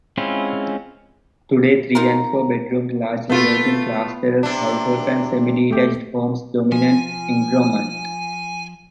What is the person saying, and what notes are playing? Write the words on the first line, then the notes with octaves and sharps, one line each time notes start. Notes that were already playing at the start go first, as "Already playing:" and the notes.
Today three and four-bedroomed, largely working class terraced houses and semi-detached homes dominate Egremont.
G#3 C4 C#4 E4 F4
D#4 F4 A#4
A3 B3 F4
C3 D4
A3 G4
F3 G#5